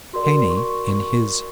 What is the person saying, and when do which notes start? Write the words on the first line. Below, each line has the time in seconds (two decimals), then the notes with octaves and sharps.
Heine in his.
0.13 F#4 A#4 D5 C6
0.50 C#6
0.88 C#6